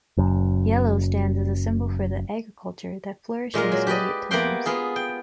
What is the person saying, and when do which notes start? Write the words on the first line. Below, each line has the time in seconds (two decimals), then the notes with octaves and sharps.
Yellow stands as a symbol for the agriculture that flourished in Soviet times.
0.17 F#1 F#2
3.54 A#2 G#3 F4 A#4
3.72 F#3
3.87 G4 B4 D5 D#5
4.31 A#3 B3 E5 F#5 G5 C6
4.66 B3 F4 G#4
4.96 G5